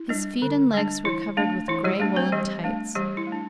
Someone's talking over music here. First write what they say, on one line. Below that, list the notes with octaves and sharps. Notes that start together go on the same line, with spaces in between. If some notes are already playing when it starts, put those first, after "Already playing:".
His feet and legs were covered with gray woolen tights.
Already playing: E4
G3 D4
D3
G3 D4
E3 E4
A3 D4
E3 E4
G3 G4
A3 D4
C4 C5
E3 G3 G4
A3 D4
E3 G3 G4
E4
A3
D4